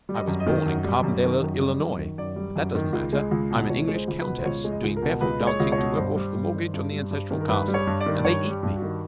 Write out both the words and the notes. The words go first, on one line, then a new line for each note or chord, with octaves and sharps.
I was born in Carbondale, Illinois, but that doesn't matter--I'm an English countess, doing barefoot dancing to work off the mortgage on the ancestral castle, and they eat me.
G3
D#5
F#2
D#5
D#3
F#2
G3
F#2
D#3
F#2
G3
F#2
D#3
F#2 D5
G3
F#2
D#3
C#2
G#3
C#2
B2
C#2 C#5
G#3
C5
C#2
B4
B2
C5
C#2 C#5
G#3
D#5
C#2
A#4
B2
C#2 B4
G#3
C#5
C#2
C#5
B2
G2 C5
G3
G2
D#3
G2
G3
G2
D#3
A#4
G2 B4
G3
C#5
G2
D5
D#3
G2 C#5
G3
G4
G2
F#4
D#3